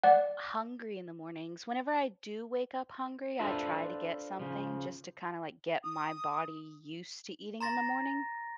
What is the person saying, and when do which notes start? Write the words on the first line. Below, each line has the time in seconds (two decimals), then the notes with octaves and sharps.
hungry in the mornings; whenever I do wake up hungry, I try to get something just to kinda, like, get my body used to eating in the morning.
0.04 D5 F#5
3.39 D4 F4 A4 B4 C5 E5
4.39 C#3 F3
5.83 D#6
7.61 A#5 C6 A6 A#6